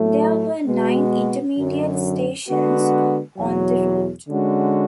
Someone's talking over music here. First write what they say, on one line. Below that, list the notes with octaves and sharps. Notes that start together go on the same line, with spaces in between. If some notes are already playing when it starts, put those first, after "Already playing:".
There were nine intermediate stations on the route.
Already playing: A2 F#3 A3
B2 G#3 B3 F#4
F#2 D3 F#3
D3 G#3 B3 F#4
E2 B2 F#3
D3 G#3 C#4 F#4